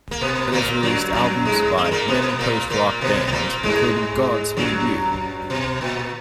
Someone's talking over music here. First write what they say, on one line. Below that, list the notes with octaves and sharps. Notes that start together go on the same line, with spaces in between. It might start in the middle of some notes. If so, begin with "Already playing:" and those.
It has released albums by many post-rock bands, including Godspeed You!
A#3
B2 B3
A#2 A#3
F#2 F#3
F#2 F#3
G#2 G#3
A#3
G#3
A#2 A#3
B2 B3
A#2 A#3
A#2 A#3
B2 B3
B3
A#2 A#3
G#2 G#3
F#2 F#3
B2
A#2